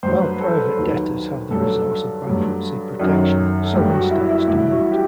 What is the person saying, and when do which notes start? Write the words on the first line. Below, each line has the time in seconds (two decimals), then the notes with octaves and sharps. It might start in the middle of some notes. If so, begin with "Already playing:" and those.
While private debtors have the resource of bankruptcy protection, sovereign states do not.
0.03 G2 F#3 C5
0.22 B4
0.41 A4
0.59 B4
0.77 D#2 D#3 F#3
1.51 G2 F#3 A4
2.25 G2 F#3
3.00 F#2 D#3 F#3
3.62 A4
3.73 G2 F#3 G4
3.92 F#4
4.11 E4
4.29 E4
4.48 G2 E3 E4
4.72 F#4
4.91 G4